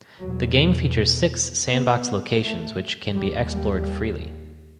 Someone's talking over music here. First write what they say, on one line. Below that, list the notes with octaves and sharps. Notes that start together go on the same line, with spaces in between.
The game features six sandbox locations which can be explored freely.
E2 B2 F#3
B3
A3
D#2 G3
G3